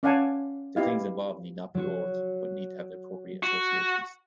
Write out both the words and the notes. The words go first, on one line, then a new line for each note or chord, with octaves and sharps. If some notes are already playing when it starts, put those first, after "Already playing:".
The things involved need not be old, but need to have the appropriate associations.
C#4 D5 F5 F#5 G#5 A5
B3 E4 G4 D#5 F5
F#3 F#4
F#4